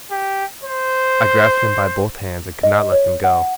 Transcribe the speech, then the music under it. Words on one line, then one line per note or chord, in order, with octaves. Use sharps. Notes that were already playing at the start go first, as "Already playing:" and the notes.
I grasped him by both hands, and could not let them go.
G4
C5
D#5
C#5
F#5